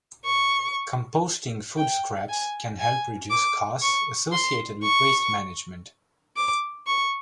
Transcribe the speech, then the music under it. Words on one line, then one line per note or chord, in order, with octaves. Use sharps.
Composting food scraps can help reduce costs associated with waste management.
C#6
G5
G#5
G#5
D6
C#6
C6
C#6
D6
C#6